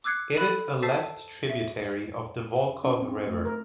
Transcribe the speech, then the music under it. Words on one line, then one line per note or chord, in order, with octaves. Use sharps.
It is a left tributary of the Volkhov River.
D6 E6 F#6 G#6 C7 C#7
A4 B5 F#6
C5 A5 E6 A6 B6 C7
E5
C#4
C4
A3
A#4